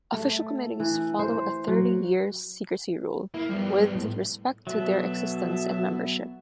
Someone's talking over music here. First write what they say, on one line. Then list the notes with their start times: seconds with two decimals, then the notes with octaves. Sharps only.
Official committees follow a thirty-year secrecy rule with respect to their existence and membership.
0.14 A3
0.80 E3
1.19 C5
1.68 F#3
3.34 A#3 E4
3.49 F3 G3 B3
3.95 A2
4.67 B2 F#3 B3 A4 E5